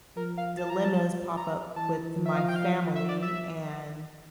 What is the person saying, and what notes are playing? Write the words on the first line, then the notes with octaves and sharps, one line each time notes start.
dilemmas pop up with my family, and
F3 A#4
F5
A5
A#5
A5
A#5
E3 A5
F3
E5
F5
G5
F5
E5
D5
E5